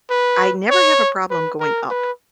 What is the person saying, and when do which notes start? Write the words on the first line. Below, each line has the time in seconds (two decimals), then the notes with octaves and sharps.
I never have a problem going up.
0.10 B4
0.70 C#5
1.30 B4
1.60 A#4
1.91 B4